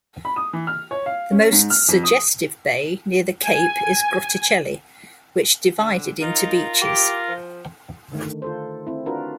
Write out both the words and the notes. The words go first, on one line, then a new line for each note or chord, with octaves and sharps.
The most suggestive bay near the Cape is Grotticelle, which divided into beaches.
B5
D#6
E3
F6
C#5
F5
C#4
G#2
F6
F2
D#6
G#5
D3
D#4 F4 A#4
G4
F3
D3 D#3 A3
F4 A4 C5
C4 E4
D4 F4 F#4 A#4 B4